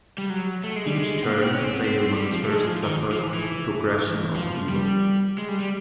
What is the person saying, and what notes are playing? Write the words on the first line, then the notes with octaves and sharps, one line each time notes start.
Each turn a player must first suffer the "progression of evil".
G3
F#3
A3
G#3
G3
G#3
B3
A#3
C4
C#4
C4
B3
C4
C4
G3
F3
A3
G#3
F3
D#3
F3
E3
E3
F3
G3
G#3
G3
G3